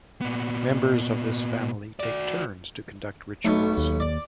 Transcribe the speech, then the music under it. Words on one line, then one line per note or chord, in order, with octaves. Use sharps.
Members of this family take turns to conduct rituals.
A#2 B3
F#4 D5
B1 B2 A3
D#2
D5